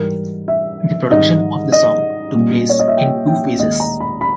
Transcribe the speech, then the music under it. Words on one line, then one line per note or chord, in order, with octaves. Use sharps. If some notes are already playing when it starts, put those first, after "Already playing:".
The production of the song took place in two phases.
Already playing: G#2 E3 G3 A#4
E5
G#2 D#3 G3 D#5
D#5
A#2 G3
C#5
D#5
E5
G5
G5
D#2 D#3 G#3 D#5
A#5
B5
B5